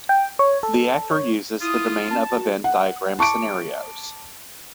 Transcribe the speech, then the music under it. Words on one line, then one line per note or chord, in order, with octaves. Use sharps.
The Actor uses the domain of event diagram scenarios.
G5
C#5
A4
C#5
E4 F4 D#6
C#4 A5
F#4
F#5
A5 C#6 D6 D7